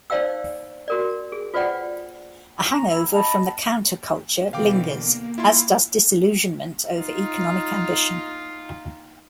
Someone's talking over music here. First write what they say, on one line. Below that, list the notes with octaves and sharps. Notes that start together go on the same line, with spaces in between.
A hangover from the counterculture lingers, as does disillusionment over economic ambition.
D#4 C5 D5 F5 G5 E6
F#4 A#4 D5
G#4
F4 B4 C5 D5 F#5 G5
A#5
E4
D#5 A5 B5
B2 D3 E3 F5 G5 D6
A#3
E4 F4 C6
D#4 F4